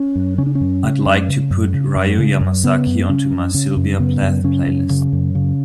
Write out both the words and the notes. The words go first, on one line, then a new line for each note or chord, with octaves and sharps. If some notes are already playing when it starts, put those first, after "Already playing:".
I'd like to put Ryō Yamazaki onto my sylvia plath playlist.
Already playing: C#4
F#2
C#3 C#4
D4
C#4
F#2
C#3
F#2
C#3
F#2
C#3
F#2
C#3
F#2
C#3 B3
F#2
C#3 C#4
F#2
C#3 C#4
F#2
C#3 B3
F#2
C#3 C#4
F#2
C#3
F#2
C#3